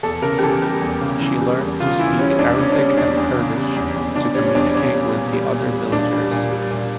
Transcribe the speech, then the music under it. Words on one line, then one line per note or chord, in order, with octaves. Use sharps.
She learned to speak Arabic and Kurdish to communicate with the other villagers.
E2 A4
C#3 A#4
G4
E3 A4
G3 G4
E2
C#3
E3
G3
E2
C#3 F4
E3 E4
G3 C#4
E2 D4
C#3 C#4
D4
G3 C#4
E2 D4
E2
C#3
G3
E2
E2
C#3 D4
G3 C#4
E2 D4
A#2 C#4
G3
A#2
G3
A#2
G3
A#2 D4
G3
A#2
G3
A#2